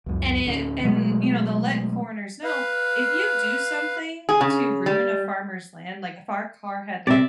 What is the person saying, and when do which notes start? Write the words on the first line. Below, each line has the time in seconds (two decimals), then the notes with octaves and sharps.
and if and, you know, they'll let foreigners know, "If you do something to ruin a farmer's land" like, if our car had, like,
0.06 C#2 F#2
0.45 D1 D3 C#4
0.84 B2 F#3 G#3 A3
2.44 B4 F5
4.29 G#4
4.41 C#3
4.86 G3
7.07 C3 D5 E5